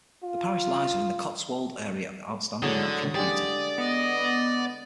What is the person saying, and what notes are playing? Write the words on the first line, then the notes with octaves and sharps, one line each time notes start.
The parish lies within the Cotswolds Area of Outstanding Natural Beauty.
F4
A2 D3 F#3 G#4 D#6
D3 G#3 G4 D5
B3 D#5